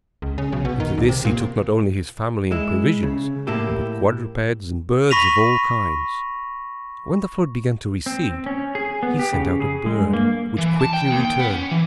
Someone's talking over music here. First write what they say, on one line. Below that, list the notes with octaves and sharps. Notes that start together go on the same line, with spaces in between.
Into this he took not only his family and provisions, but quadrupeds and birds of all kinds. When the flood began to recede, he sent out a bird, which quickly returned.
C#2
C#3
B1
B2
D#3
C2
C3
A#2
G#3 E4
C#3
A2 A#3 E4 G4
B5 C#6 A#6 B6 D#7 F7
C4
C#4
G#4
B3
G4
C#3
G#4
G#3
G2
A#3
E3
A5
G5
D#2
G5
B3
C#4
E3